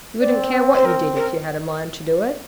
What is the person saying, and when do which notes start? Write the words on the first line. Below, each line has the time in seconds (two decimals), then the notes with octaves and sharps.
'You wouldn't care what you did if you had a mind to do it.'
0.20 C4 D5
0.74 C5
0.85 A#4
1.17 A#4